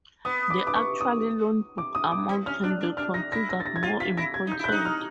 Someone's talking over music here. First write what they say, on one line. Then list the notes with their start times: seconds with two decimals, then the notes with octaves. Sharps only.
The actual loan book amount can be considered more important.
0.25 B3 D#6
0.50 D6
0.67 D6
0.76 C#6
1.01 D#6
1.78 D6
1.95 D#6
2.12 D6
2.29 C4
2.46 C#4 F6
2.63 D4 F#6
2.81 D4
2.97 D4 F6
3.14 D#4 A#6
3.32 E4 A#6
3.49 A#6
3.60 A6
3.66 A#6
3.76 G#6
3.83 F4 A6
4.00 F4 B6
4.17 E4 A#6
4.34 G#6
4.47 D#4
4.52 G6
4.59 E4
4.64 G6
4.69 D#4 F#6
4.85 F6